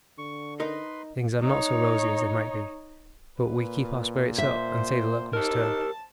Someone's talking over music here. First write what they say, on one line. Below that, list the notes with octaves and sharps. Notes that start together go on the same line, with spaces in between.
Things are not so rosy as they might be, but we keep our spirits up and say the luck must turn.
D3 C#6
D#4 A#4 B4 D#5 C6
D#4 C#5
A#2 B4
C5 E5
D#4 G4 A#4 A5